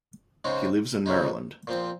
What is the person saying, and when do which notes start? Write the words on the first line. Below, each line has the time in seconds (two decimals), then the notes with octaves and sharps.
He lives in Maryland.
0.44 C#3 G#3 C4 D#4
1.06 F2 C#3 G#3 D#4
1.67 A#2 F3 C4